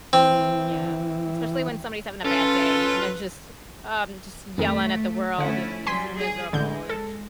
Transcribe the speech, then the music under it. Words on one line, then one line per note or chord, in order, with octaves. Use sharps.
Yeah, especially when somebody's having a bad day, and they're just um, just yelling at the world and just miserable, and,
E3 C4
C#4 F4 A4 B4
F2 D#3 A3
D3 A3 C#4 E4 F#5
F#3 G3 G#5 C6 B6
G#4
A1 D3 G#3 G6
A4